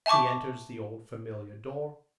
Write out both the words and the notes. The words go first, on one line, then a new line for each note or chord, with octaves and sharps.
He enters the old familiar door.
E5 G#5 A5 C#6 D6